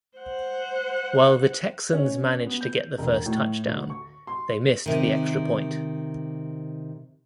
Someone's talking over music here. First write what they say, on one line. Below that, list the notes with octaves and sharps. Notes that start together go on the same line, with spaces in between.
While the Texans managed to get the first touchdown, they missed the extra point.
C5 F#5
C#4
B3
G6
E1
A2
D2
C#6
C6
C3 D#3